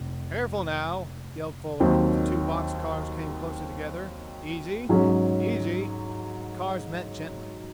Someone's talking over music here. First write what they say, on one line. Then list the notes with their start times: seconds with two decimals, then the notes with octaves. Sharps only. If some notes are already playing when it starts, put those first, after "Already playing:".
"Careful now," yelled Fuller, as the two box-cars came closer together. "Easy--easy!" The cars met gently.
Already playing: F1
1.80 D#2 D#3 F#3 C4
4.89 G#2 F#3 C#4 G#4